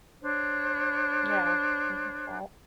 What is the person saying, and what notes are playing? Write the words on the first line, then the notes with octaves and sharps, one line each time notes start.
yeah, I get that.
D4 C5 C#5